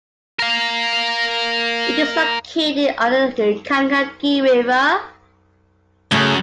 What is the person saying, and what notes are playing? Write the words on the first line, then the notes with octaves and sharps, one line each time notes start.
It is located on the Kankakee River.
A#4 F5
F#2 C#3 A3